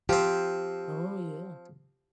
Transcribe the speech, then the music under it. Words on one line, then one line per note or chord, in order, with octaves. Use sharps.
Oh, yeah.
F3 C4 G4